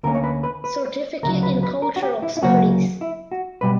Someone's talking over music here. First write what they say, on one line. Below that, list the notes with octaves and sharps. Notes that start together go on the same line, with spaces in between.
Certificate in Cultural Studies.
D2 D3 A#3 C#4 A#4
C#5
B4
B4
B4
D2 C#3 F#3 A#4
B4
B4
A#4
F#4
G4
E4
E4
D2 C#3 F#3 A#3 C#4 F#4
E4
F#4
B2 G3 B4